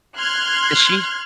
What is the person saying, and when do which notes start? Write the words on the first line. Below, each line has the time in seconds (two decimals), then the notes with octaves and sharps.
And she
0.18 C6 F6 F#6 G#6